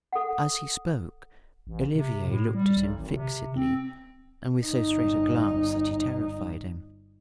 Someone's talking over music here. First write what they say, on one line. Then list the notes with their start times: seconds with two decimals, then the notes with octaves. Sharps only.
As he spoke, Olivier looked at him fixedly, and with so straight a glance that he terrified him.
0.13 A4 F#5
1.67 A1
1.95 C3
2.28 A2
2.55 G3
2.77 B1
2.96 G#1
3.14 C3
3.56 C4
4.65 G1 D#4